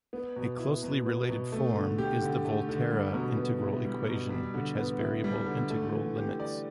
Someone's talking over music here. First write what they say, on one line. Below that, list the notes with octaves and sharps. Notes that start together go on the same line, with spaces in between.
A closely related form is the Volterra integral equation which has variable integral limits.
B3
B2
E4
B2
B3
B2
A3
D3
G4
D3
A3
D3
G3
B2
B3
E4
G3
B2
G3
D3
B3
E4
G3
D3
A3
E3
G4
D5